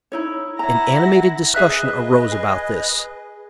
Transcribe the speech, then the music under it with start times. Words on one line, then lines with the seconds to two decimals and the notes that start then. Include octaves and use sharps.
An animated discussion arose about this.
0.12 D#4 E4 C#5
0.59 E4 C#5 F#5 A#5 A#6
1.54 G#4 E5 F#6
1.72 B4 D#5
2.31 G#4